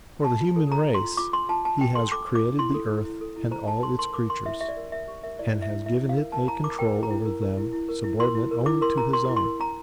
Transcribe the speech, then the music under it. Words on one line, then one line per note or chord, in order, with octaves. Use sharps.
For the human race he has created the earth and all its creatures, and has given it a control over them subordinate only to his own.
D4 A5
F4
A4
A4 A#5
D4
C6
F4
F4 D6
D4 C6
F4 A5
D4 A5
D4 G5
A4 C6
A4 D6
C5
D6
E4
E4 C6
A4
E4
E4
A4
E4
C5 A#5
A4 A5
A4 C6
A#4 C6
A#4 D6
A#4 C6
E4 E5
G4 E5
D5
A#4
A#4 E5
G4
A#4 E5
E4 D5
E4
E5
E4
E4 E5
E4
F5
A#4
A#4 A5
E4 A#5
A#4 D6
A#4 G5
E4
A#5
E4
A#4
A#4
E4
E4
A#4
E4
A#4 C6
E4
A#4
E4 D6
A#4 C6
A#4 A#5
A#4 C6
E4
C6
A#4
D4 A#5